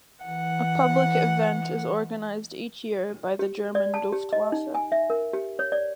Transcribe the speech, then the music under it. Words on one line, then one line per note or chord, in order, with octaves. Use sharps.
A public event is organized each year by the German Luftwaffe.
E3 F#5
G4
D5
A5
G4
D#5
D#4
G#5
E5
A#4
G4
C#5
D5